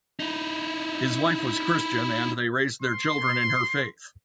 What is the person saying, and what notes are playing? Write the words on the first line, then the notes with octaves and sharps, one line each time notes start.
His wife was Christian, and they raised their children in her faith.
D#4 E4
C6